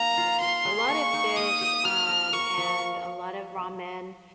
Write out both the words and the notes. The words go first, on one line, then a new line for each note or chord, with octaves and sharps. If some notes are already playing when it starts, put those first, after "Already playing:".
Yeah, a lot of fish, um, and a lot of ramen,
Already playing: A#3 D#4 A#5
F4
F4 C6
G#3
A#3 C#6
D#4
A#3 D#6
G4
G4 F6
A#4
A#4 C#6
F3